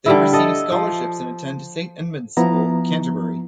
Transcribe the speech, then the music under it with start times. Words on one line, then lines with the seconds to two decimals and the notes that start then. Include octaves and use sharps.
They receive scholarships and attend Saint Edmund's School, Canterbury.
0.06 D3 G3 E4
0.33 A4 D#5
0.72 F3
2.37 F3 B3 E4 A#5